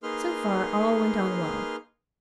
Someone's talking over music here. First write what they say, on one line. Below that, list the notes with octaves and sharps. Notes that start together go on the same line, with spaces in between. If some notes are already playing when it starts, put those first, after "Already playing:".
So far all went on well.
A#3 D#4 G#4 B4 C6 F6